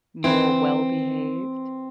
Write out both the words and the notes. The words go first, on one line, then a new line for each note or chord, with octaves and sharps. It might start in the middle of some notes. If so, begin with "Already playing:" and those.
more well-behaved?
E3 C4